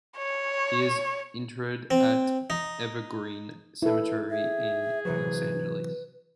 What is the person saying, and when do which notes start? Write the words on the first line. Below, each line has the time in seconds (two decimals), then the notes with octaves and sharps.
He is interred at Evergreen Cemetery in Los Angeles.
0.17 C#5
1.91 C4
2.50 D#4
3.82 E4 A4 B4
4.30 G#4 E5
5.05 C3 E3 F#3 B4